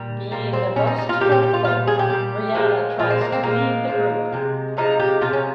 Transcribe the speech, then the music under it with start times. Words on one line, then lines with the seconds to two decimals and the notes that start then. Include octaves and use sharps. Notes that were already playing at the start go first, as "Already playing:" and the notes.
Being the most faithful, Brianna tries to lead the group.
Already playing: A#2 G3
0.31 A#2 G3 A#3
0.53 C4
0.76 A#2 C#4
0.80 G3
0.87 D#4
0.98 D#4
1.09 F4
1.21 A#2 G4
1.25 G3
1.32 G4
1.43 G4
1.54 F4
1.65 A#2 G3 F4
1.87 G#4
1.99 G4
2.10 A#2 G3
2.54 A#2 F3 G#3
2.99 A#2 F3 G#3 F4
3.10 C4
3.21 A#3
3.32 C4
3.43 A#2 F3 G#3 A#3
3.88 A#2 F3 G#3
4.32 C3 F3 G#3
4.77 C3 F3 G#3 D#4
5.00 G4
5.21 C3 F3 G#3 F4
5.33 C#4